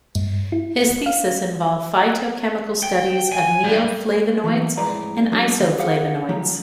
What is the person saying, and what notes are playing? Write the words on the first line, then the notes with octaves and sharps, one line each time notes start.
His thesis involved phytochemical studies of neoflavonoids and isoflavonoids.
G2
E4
F5
G5
G#5
G2
E3 F#3 A3 A#3 D#4
F2 A2 G#3 B4 D5 A#5
F#3 G#3 A#3 D4
D#2
G4 G#4 F5 F#5
D#3 F3 F#3 A3 D#4 G4